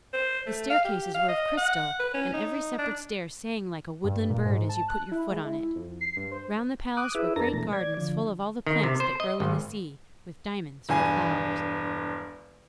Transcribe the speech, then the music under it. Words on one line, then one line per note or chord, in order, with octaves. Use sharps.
The staircases were of crystal, and every separate stair sang like a woodland bird as you put your foot on it. Round the palace were great gardens full of all the plants that grow in the sea, with diamonds for flowers.
C5
A3
F5
G4
F5
D#5
F#5
B4
C#4
D#4
D4
G2
A#2
G#2
A5
F#6
E4
G#3
E4
F2
C7
G2
C5
D6 D#6 F#6
E4 G#4 B4 E5
F2 D4 A#4 A5 A#5 A#6
B2 E3 A3
D5 G#6
D3 F3
D#3
C3
C5
D#5
G#1
E1 G2 G#5